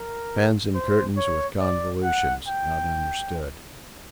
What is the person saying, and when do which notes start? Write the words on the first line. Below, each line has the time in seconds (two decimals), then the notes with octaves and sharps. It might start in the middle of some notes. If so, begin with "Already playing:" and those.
Bands and Curtains with convolutions--not understood.
Already playing: A#4
0.74 C5
1.17 C#5
1.60 D5
2.03 F#5
2.48 G5